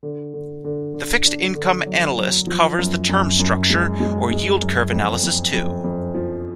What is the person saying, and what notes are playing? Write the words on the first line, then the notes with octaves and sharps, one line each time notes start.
The Fixed Income Analyst covers the term structure or yield curve analysis too.
D3
D3
D3
D3
D4
D3
F#3
F#3
F3
F#2
F#2
F#2
G#3
G#3
G#3
F#2
F2
F2
F2
F2
F3